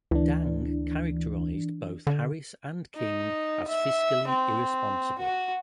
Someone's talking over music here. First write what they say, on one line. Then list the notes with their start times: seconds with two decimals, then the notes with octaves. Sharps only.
Dang characterized both Harris and King as fiscally irresponsible.
0.11 D2 E3 D4
2.07 D3
2.96 D#4
3.68 E5
4.29 C4
5.19 F#4